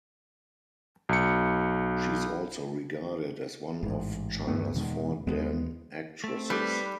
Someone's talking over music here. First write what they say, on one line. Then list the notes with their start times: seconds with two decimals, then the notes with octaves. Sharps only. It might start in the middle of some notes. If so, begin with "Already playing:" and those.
She is also regarded as one of China's Four Dan Actresses.
1.09 B1 C#7
3.83 A1 G#2
4.47 D2 G2 A3 B3
4.75 E2 B2 D#3 G#3
5.27 D#2 G#3 B3
6.24 A3 C4
6.50 G3 D#4 A4 B4